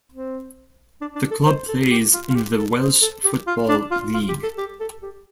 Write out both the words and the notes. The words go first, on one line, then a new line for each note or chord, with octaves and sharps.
The club plays in the Welsh Football League.
C4
D4
D4
A4
C5
A4
G4
F4
F4
G4
A4
C5
A4
G4
F4
D4
F4
F4
G4
A4
G4
A4
G4